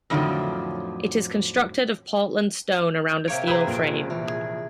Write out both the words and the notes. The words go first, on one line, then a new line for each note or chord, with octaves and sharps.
It is constructed of Portland stone around a steel frame.
F2 A2 D3 D#3 F3 F#3
G6
C3 A#3 C#5 D7
G#4 B4 C5 E5 A#5
A#1 D7
E3
G#4